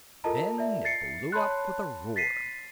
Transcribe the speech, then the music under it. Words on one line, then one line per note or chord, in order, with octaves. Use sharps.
Then it blew up with a roar.
F4 A4 A#4 D#5 A5 A#5
D5 E5
A6 C7 C#7
C#5 A5 B5 C6 F#6
A6 B6 C7 D#7